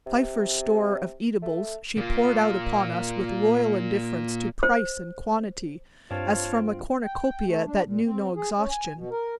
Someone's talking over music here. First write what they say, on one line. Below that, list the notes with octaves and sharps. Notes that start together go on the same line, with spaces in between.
Cypher's store of eatables she poured out upon us with royal indifference to price and quantity, as from a cornucopia that knew no exhaustion.
C3
A3
A#2 F4
C5
G2 C4 F4 C#5 F5 A5
G5
A3
D4
A#2
C4
G#4
C#4
G#5
B2
A#4